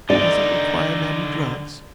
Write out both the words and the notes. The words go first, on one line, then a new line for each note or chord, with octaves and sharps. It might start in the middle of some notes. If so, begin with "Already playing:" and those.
"Does it require many drugs?"
D3 D#4 D5